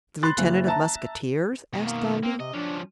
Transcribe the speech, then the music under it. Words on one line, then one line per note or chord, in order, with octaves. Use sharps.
"The lieutenant of musketeers?" asked Gondy.
B5 C6 F#6 A6
F#1
E5 A5 A#5
B2 D#3
A#3
A#3 C4
C3 D#5
F3 C#4 D4